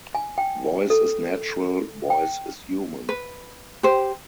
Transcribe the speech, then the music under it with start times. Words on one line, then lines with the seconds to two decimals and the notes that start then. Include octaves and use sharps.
Voice is natural, voice is human.
0.15 G#5
0.38 G5
0.90 A4
2.10 G5
3.09 B4
3.83 G4 C5